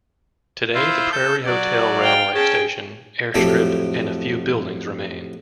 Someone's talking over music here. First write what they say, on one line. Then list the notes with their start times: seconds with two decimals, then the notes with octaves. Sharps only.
Today, the Prairie Hotel, railway station, airstrip and a few buildings remain.
0.75 E4 F4 C5
1.12 A4 G6
1.46 F#3 D5
1.99 F5 G5
2.34 C#4 G#4 G5 A5
3.35 F2 A2 F#3 G4 A4 D6